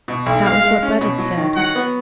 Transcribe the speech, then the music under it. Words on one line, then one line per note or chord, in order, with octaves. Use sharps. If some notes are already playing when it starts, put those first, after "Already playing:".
That was what Budd said.
B2
B1
G#3 F5
G#3
C#4
B2
F#3
D#3
F#3 F#5
B3